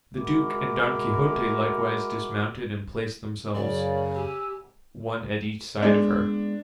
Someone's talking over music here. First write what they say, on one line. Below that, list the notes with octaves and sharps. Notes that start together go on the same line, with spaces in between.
The duke and Don Quixote likewise dismounted and placed themselves one at each side of her.
G#3 E4 F#4 A#4 B5 D6
F#2 C#3 A#4 C#5 D5
G4 G#5 E6
G#3 B3 D4